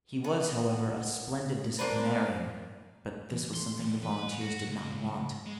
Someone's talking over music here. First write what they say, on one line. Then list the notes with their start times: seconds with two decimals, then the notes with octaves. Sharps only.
He was, however, a splendid disciplinarian, but this was something the volunteers did not want.
0.24 B3
1.79 A#3 C4 D4 B4
3.32 E3
3.54 C6
3.79 E2
4.03 B4
4.40 F#4
4.67 C#2
5.46 G#3